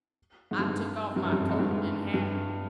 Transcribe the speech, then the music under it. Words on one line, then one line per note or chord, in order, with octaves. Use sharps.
I took off my coat and hat.
G#2
G2
G#2
G2
F#2
G2
F2
F#2
G#2
G2
G#2
G2